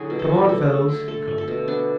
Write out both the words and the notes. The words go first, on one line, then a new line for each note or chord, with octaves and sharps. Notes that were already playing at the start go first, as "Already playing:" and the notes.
"Come on, fellows!" he called.
Already playing: D3 F#3 E4 F#4 G#4
B2
A4
B2
A3 A4
A3
D3
A3 A4
A3
A4
B2
B3 D4